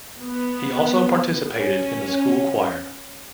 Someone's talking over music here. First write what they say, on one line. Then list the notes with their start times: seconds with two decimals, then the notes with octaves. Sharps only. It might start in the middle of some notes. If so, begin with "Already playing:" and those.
He also participated in the school choir.
0.23 B3
1.52 C#4